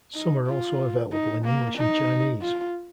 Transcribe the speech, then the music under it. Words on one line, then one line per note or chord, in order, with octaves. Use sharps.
Some are also available in English and Chinese.
D#4
F4
D#4
A#3
D#4
F4